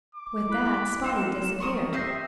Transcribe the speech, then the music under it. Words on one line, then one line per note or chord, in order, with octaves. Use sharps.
With that Spotty disappeared.
D6
E4 B5 F#6
A#3 D#4 E7
A#4 C6 C#6 D#6
C4 G4 D#5 E5 E6 G6 A#6 C7